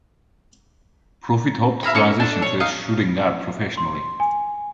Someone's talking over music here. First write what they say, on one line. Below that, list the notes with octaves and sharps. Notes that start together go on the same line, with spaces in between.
Profit hoped to transition to a shooting guard professionally.
E4 F5 A#5 B5
A#3 C#4 A4 C#6
D4 A4
C#5
D#4 D#5 F5
C6
G#5